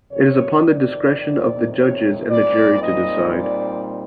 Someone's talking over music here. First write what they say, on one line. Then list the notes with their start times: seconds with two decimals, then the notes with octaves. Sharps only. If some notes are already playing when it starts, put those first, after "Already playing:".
It is upon the discretion of the judges and the jury to decide.
0.11 F2 C3 D#3 C#5
0.66 D5
1.20 D5
1.74 C#5
2.27 A#2 G3 C4 D#4 D5
2.81 D#5
3.36 D5